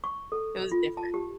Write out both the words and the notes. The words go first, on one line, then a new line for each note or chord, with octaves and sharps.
it was different.
C#6
A4
F4
A5
G4